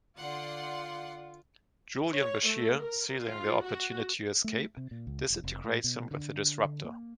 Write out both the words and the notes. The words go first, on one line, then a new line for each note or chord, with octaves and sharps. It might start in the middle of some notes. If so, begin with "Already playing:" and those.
Julian Bashir, seizing the opportunity to escape, disintegrates him with a disruptor.
D3 F4 D5 F#5 C6
C#5
A3
A#4
F4
F#4
A3
C3
A#2
C#2
E1
F1
A2
B2
D3
D3
A#3